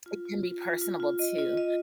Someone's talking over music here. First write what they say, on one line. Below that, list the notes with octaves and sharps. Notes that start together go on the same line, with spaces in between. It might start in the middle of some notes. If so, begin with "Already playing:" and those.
It can be personable too.
F4
F4
F4
F4
F4
F4
D#5
F4
D#5